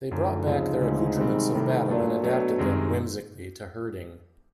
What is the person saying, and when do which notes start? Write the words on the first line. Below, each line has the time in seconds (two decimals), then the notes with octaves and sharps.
They brought back their accoutrements of battle and adapted them, whimsically, to herding.
0.11 F#2 A2 D3 F3
0.46 D2 G#2 C#3 F3 G#3 C4
0.82 D2 C#3 F3 G#3 C4
1.17 C3 D#3 G3 C4
1.53 A2 C3 D#3 G3 C4
1.89 A#2 F#3 A3 D4
2.24 B2 F#3 A3 D4
2.58 F#2 C3 D#3 G#3 C4